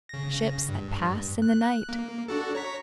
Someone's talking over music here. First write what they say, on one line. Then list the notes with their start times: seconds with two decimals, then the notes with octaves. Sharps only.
"Ships that pass in the night!"
0.09 C#3 A#6
0.69 G2
1.42 F#6
1.89 A#3
2.28 D4 F#4 A4
2.55 C#5 A#5 B6